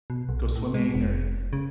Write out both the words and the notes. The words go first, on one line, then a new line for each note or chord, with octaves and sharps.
go swimming, or
B2
B1
A2
G#3
F1
C#3